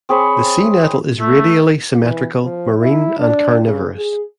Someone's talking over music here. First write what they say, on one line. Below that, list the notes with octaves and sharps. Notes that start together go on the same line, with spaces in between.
The sea nettle is radially symmetrical, marine, and carnivorous.
C4 G#4 C#5 B5
A3
E3
F3
E4
D4
C#3
G#4